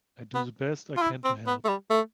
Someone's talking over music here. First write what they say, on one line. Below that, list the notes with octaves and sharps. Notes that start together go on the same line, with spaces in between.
I do the best I can to help.
B3
F4
E4
C4
B3
A3
G3
A3